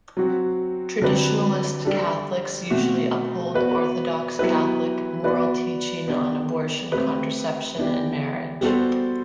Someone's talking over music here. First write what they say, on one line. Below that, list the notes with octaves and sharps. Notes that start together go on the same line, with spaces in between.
Traditionalist Catholics usually uphold orthodox Catholic moral teaching on abortion, contraception and marriage.
F#3 C4 F#4
D3 F#3 C4 G4 B4
G3 D4 A4
B2 A3 C4 F#4
B3 F#4 B4 D5
F#3 B3 E4 G4 B4
B3 F#4 B4 D5
B3 D4 G4
A3 C4 G4 B4
E3 B3 D4 G4
G3 B3 F#4 A4 C5